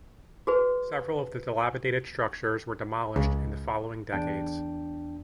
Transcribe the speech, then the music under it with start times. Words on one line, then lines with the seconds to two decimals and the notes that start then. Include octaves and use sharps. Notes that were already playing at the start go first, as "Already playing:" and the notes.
Several of the dilapidated structures were demolished in the following decades.
0.47 F#4 G#4 B4
3.16 C#2
4.12 E2 D4 G5